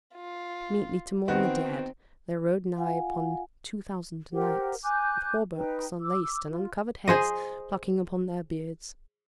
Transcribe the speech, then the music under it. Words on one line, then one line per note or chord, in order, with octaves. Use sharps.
Meetly to mourn the dead there rode nigh upon two thousand knights, with hauberks unlaced, and uncovered heads, plucking upon their beards.
F4
D#3 B3 C4 F#4
F4 F5 F#5 G#5
G4 A#4 C5 F#5
G#5 D6 F#6 G6
D#4 B4 G5
D6 E6
F4
G#4 C5 D#5